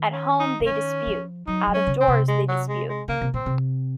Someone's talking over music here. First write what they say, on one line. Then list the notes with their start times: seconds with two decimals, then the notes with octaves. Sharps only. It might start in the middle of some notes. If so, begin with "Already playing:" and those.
At home they dispute, out of doors they dispute.
Already playing: D#3
0.12 C#4
0.39 D#4
0.60 C#3
0.66 D#3 C#4
1.06 F3
1.47 F#3 D#4
1.67 F#3
1.74 C#4
1.87 C#3
2.01 C4
2.08 C3
2.28 G#3
2.48 F#3
2.68 G#3
2.89 G#3
3.08 C#3 A#3
3.21 C3
3.34 A#2 C4
3.46 C3